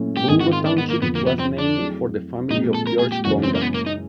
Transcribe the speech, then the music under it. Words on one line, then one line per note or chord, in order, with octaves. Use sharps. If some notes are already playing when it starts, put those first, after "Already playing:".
Bungo Township was named for the family of George Bonga.
Already playing: A#2 F#3 A3 C#4 E4
G4
G#2 D#3 G#3 C4 G#4
F#4
F4
D4
B3
A#3
F2 D3 F3 B3
A#3
B3
C4
D4
F#3 A3 C4 E4 G#4
A#2 F3 G#3 C4 D#4
A4
A#4
G#4
G4
F#2 C#3 E3 G#3 C#4 F#4
C4
A#3
B3
A#3
D#4